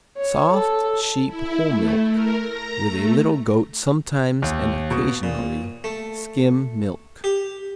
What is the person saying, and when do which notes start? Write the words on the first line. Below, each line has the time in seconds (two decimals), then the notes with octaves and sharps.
Soft, sheep whole milk with a little goat sometimes and occasionally skim milk.
0.17 C#5
0.53 A4
1.26 E4
1.68 A3
2.10 A#4
2.43 A#5
2.85 A3
4.42 D#2
4.91 B2
5.23 A#2
5.84 A3
7.24 G4